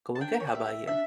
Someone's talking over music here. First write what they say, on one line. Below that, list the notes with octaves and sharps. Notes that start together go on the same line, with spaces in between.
Going good, how 'bout you?
A5
D4 G5
A#4
C#5
D5
G4 E5
D4 E5